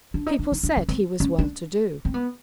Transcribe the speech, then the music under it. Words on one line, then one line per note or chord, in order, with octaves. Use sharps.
People said he was well-to-do.
D4
D#4
D4
D#4
D4
C#4
C4
C#4
D4
C4
B3